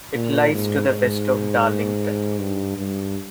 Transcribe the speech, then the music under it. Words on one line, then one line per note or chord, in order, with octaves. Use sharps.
It lies to the west of Darlington.
A#2
G#2
G#2
G2
G2